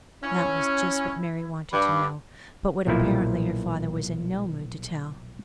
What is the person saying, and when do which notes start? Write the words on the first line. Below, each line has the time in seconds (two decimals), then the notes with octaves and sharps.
That was just what Mary wanted to know; but what apparently her father was in no mood to tell.
0.22 C#4 E4
1.72 G2 B5 D6
2.87 B1 A#2 F3 E4